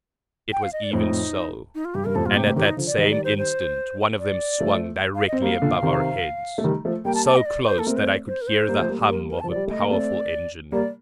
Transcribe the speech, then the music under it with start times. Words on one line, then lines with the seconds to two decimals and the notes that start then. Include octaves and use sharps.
It was even so; and at that same instant one of them swung directly above our heads, so close that I could hear the hum of a powerful engine.
0.52 G5
0.63 F5
0.73 D#5
0.83 D5
0.92 F2 A2 D#4
1.75 D#4
1.85 F4
1.95 G2 G4
2.05 G2 A#4
2.15 F2 A2 A4
2.25 G2 A#2 F4
2.36 A2 C3 G4
2.46 A2 C3 G4
2.56 C3 D#3 G4
2.67 D#4
2.77 D3 F3
2.87 D5
2.97 D#3 G3 D#5
3.11 D5
3.24 C5
3.38 C5
4.19 D5
4.60 F3 A3
5.15 F5
5.28 D#5
5.32 C4
5.41 G3 A#3 F5
5.62 A#2 D3
5.83 C3 D#3
6.58 A3
6.64 D#3 G3
6.85 F3 A3
7.05 G3 A#3 G5
7.15 A5
7.26 A5
7.36 D#5
7.46 D5
7.66 C5
7.78 A#3 A4
7.86 A3 C4 A#4
7.97 C5
8.07 D5
8.28 C5
8.41 A#4
8.48 C5
8.68 G3 A#3
8.79 F3 A3
8.89 G3 A#3
8.99 G3 A#3
9.10 A#4
9.29 A#4
9.40 A5
9.44 F3
9.50 D5
9.56 G3
9.67 A3 D#5
9.79 A#3
9.91 A3 C4 D5
10.72 G3 A#3 D5